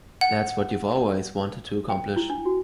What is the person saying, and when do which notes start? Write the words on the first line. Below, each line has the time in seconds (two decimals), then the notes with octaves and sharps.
That´s what you´ve always wanted to accomplish.
0.21 F#5
1.89 G5
2.16 E4
2.30 D4
2.45 F#4